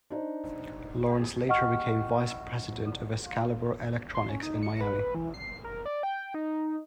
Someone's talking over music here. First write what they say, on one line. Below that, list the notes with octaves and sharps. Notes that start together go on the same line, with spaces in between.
Lawrence later became Vice President of Excalibur Electronics in Miami.
D4 D#4 C5
D#5 F#5 G5 C#6 F6
C6
C#4
D#4
C#7
B4
E3
C7
A#4
D5
G5
D#4